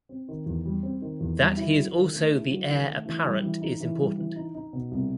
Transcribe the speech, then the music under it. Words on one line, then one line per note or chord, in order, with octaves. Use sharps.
That he is also the heir apparent is important.
C4
D#3
E2
G3
C4
D#3
E2
G3
E4
F#3
D#3
A3
E4
F#3
D#3
A3
E3
G3
E3
D#4
E3
G3
E3
D#4
D#4
B2
C2